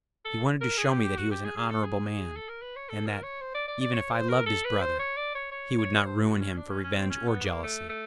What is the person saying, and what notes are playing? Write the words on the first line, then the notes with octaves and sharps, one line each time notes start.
He wanted to show me that he was an honorable man, and that, even if I loved his brother, he would not ruin him for revenge or jealousy.
A4
A#4
G#4
G4
G4
F#4
G4
G#4
G#4
A4
G#4
A4
A#4
B4
C#5
A4
A#4
C#5
C5
D5
D5
D5
C#5
C5
A#4
A4
B4
C5
C#5
D5
C#5
C#5
C#5
C5
F#4
C#4
D4
C#4
C#4
C4
C#4
B3
A#3
A3
A3